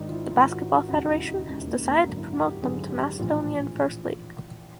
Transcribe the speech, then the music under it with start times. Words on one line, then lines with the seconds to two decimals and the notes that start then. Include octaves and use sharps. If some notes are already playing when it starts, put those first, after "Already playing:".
The Basketball Federation has decided to promote them to Macedonian First League.
Already playing: G#1 G#2 D#3 D4 D#4
0.08 F4
0.12 E4
0.32 G#1 G#2 D#3 F4
0.50 F#4
0.70 F#4
0.89 E1 D#2 C#3 F#4
1.08 E4
1.27 D#4
1.47 E1 D#2 C#3
1.65 A#3
1.85 A#3
2.03 G#1 F#2 D3 A#3
2.18 E4
2.33 F#4
2.47 G4
2.61 G#1 F#2 D3 G#4
2.90 G4
3.18 A#1 A2 E3 F4